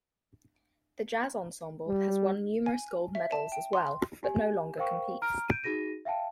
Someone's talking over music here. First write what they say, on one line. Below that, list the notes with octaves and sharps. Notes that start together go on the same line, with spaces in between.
The jazz ensemble has won numerous gold medals as well, but no longer competes.
G3
G#5
E5
A5
G5
C6
G4 G#5
A#4 C5 F5 G5 C#6
A#5 F6 D7
G6 D7 D#7
D#4 F#4 G#4 A#6 D#7
E5 F5 G5 A5